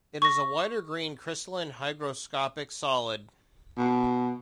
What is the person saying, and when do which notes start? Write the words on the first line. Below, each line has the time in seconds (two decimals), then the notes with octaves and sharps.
It is a white or green, crystalline, hygroscopic solid.
0.22 C#6 A#6
3.78 B2